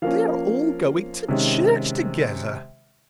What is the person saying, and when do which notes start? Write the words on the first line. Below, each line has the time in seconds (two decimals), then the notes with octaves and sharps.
They are all going to church together.
0.02 F3 A#3 C#4 F5
1.29 C3 D#3 G#3 C#4